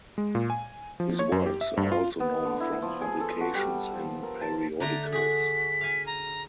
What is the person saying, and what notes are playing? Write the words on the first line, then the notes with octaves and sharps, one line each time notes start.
His works are also known from publications in periodicals.
G#3
A#2
G#5
F3
C#5
F#2
G4
E5
G2
F4
B3
D3
E4
F3
G#4
A4
F#4
G3
F3
A#4
A5
D3 A3 A#5
F#4 G#4 B6
F5 G#5
A#5